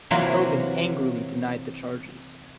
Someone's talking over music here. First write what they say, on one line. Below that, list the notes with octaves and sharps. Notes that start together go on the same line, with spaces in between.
Tobin angrily denied the charges.
C3 E3 F#3 A#3 F4 F#4